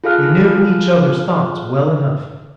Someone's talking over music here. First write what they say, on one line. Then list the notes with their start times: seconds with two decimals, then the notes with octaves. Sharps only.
We knew each others thoughts well enough.
0.04 F4 G#4 A4 F5 F6 F#6